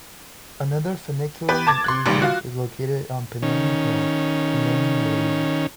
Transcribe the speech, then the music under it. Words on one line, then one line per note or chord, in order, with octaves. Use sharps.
Another funicular in Asia is located on Penang Hill, Penang, Malaysia.
B3 G4 B4
A5 D6 G#6 A6
C6 F#6
A1 A#2 D#3 G3
F4 F#4
D#3 C#4